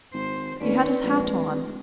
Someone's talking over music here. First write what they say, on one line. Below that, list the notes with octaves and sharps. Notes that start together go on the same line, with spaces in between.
He had his hat on.
G#1 C5
D#2 C4 C#4 B4 D5
A#1 G#3
D1